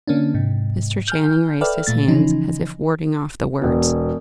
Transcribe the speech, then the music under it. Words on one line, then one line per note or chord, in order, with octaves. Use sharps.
Mr. Channing raised his hands, as if warding off the words.
D3 A#3 C#4 D4
G#2 C3
G#5 F6 G6
A4 B4 D5 E5 G5 F6
A#2 A3 A6
C#3 E3 F3 C#4 D#4
E1 B2